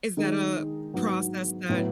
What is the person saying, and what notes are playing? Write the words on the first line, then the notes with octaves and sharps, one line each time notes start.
is that a process that
D#3 G#3 D#4
G#2 F#3 B3 F#4
A2 F#3 B3 E4